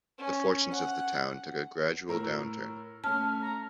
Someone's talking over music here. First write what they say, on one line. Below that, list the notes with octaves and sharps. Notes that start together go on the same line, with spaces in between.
The fortunes of the town took a gradual downturn.
C#4
F#5
A2 A#4 E6
A3 C#4 A5 F6
A#5